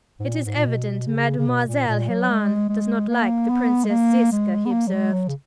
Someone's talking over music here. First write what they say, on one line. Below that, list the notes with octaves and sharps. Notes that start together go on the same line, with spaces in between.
"It is evident Mademoiselle Helen does not like the Princess Ziska," he observed.
G#2
A#2
G#2
A#2
B2
C#3
C#3
B2
A#2
A#2
F#3
G#3
G#3
A#3
B3
G#3
A#3
G#3
B3
A#3
F#3
G#3
F#3
C#3